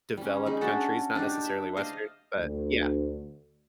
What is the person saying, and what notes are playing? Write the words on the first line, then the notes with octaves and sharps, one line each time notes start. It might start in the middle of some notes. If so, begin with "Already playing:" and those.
developed countries, not necessarily Western. But, yeah.
G3 C#4
G#3 D#4
C#4 D4 F#4 A4
D4 D#4 G4
E5
C5 D5 D#5 F5
D2